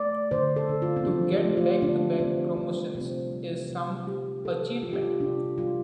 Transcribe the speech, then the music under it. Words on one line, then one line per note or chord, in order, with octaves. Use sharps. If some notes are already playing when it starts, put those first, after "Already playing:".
To get back to back promotions is some achievement.
Already playing: A3 D5
D3 C5
A4
D3
F4
C4
F3 D4
G4
A3
F4
D3 D4
D3 C4
G3 D4
C3 C4
G3
C3
G3 G4
C3 A4
G3 F4
G4
F4
C3 D4
G3 F4